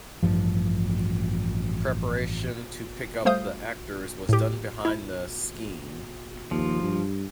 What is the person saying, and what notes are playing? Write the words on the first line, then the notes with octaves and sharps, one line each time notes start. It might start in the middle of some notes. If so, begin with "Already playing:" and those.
Preparation to pick up the actors was done behind the "skene".
A1 G2 F3
G3 A3 C5 F5 D#6 G6
A2 G4
E4
D#2 F3
G2